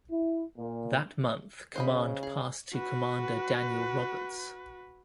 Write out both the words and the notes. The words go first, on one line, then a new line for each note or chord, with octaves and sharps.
That month command passed to Commander Daniel Roberts.
E4
A#2
C#3 C5 D#5 B5
G#4
F#4 B4